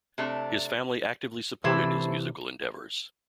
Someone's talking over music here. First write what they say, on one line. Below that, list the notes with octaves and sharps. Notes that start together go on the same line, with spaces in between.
His family actively supported his musical endeavors.
C3 A3 D4
C3 E3 A3 E4 C5